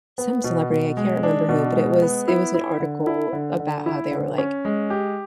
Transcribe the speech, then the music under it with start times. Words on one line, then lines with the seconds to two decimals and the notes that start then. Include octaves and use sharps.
some celebrity, I can't remember who, but, it was it was an article about how they were, like,
0.18 B3
0.44 B2
0.71 B2
0.97 G#3
1.23 D4
1.49 B2
1.75 G#3
2.02 B3
2.28 E4
2.54 E4
2.80 D3
3.07 E4
3.33 D3
3.60 D3
3.86 E4
4.11 D3
4.38 C#4
4.65 G#3
4.90 G4